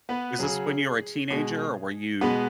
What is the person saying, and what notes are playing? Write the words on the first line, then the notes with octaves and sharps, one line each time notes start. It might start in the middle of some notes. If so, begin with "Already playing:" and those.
Is this when you were a teenager or were you
B3 B4
C#3 F#3 G#4
B2 G#3
B2 G#3 B3 B4